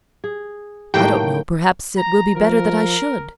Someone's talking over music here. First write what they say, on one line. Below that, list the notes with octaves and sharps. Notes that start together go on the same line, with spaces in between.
"I don't know; perhaps it will be better that I should."
G#4
A2 D#3 F#3 A3 A#3 G4 G5
A#5
F3 A#4